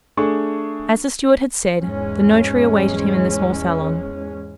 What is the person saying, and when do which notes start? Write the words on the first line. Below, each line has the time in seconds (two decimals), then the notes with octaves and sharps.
As the steward had said, the notary awaited him in the small salon.
0.17 A3 D4 G#4 C#6
1.82 E2 G#2 G#3 C#4